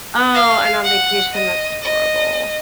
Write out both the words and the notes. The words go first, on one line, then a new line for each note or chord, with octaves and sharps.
Oh, and on vacation, that's horrible.
F5
F#5
D#5
D#5